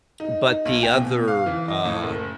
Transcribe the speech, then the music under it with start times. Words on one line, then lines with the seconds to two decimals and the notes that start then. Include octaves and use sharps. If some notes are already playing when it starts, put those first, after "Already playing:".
but the other, uh
0.20 D#4
0.47 D#4
0.65 B1
0.83 G5
0.94 B2
1.28 F5
1.46 E3
1.69 D#5
1.85 A2
2.03 F#1